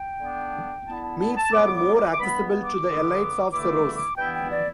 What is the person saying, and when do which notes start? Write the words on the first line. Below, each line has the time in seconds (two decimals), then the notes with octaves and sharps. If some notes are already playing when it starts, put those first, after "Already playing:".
Meats were more accessible to the elites of Cerros.
Already playing: G5
0.20 D3 B3 D4
0.86 D3 B3 E4 A5
1.02 A5
1.20 A5
1.36 A5
1.52 A2 G3 B3 D6
1.75 D6
1.96 D6
2.12 D6
2.19 G2 G3 B3 B5
2.63 D6
2.84 G2 D3 B3
3.51 G2 D3 A3 E4 D6
3.73 D6
3.95 D6
4.17 G2 E3 B3 E4 G5
4.34 G5
4.50 D5